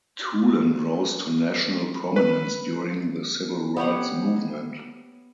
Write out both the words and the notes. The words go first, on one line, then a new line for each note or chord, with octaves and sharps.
Toolen rose to national prominence during the civil rights movement.
B4
B3 G4 C#5 F#5